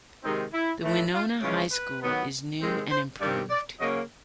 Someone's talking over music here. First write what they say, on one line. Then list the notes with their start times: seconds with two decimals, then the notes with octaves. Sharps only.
The Winona high school is new and improved.
0.24 C3 D#3 G#3 C4 D#4
0.54 E4
0.83 A2 E3 A3
1.13 F4
1.42 C#3 E3 G#3 C#4 F4
1.72 B4
2.02 D#3 F#3 B3
2.61 C3 D#3 G#3 C4
2.91 C5
3.20 G2 D#3 G3 C4 D5
3.50 D5
3.79 C#3 F#3 A#3 C#4 D#5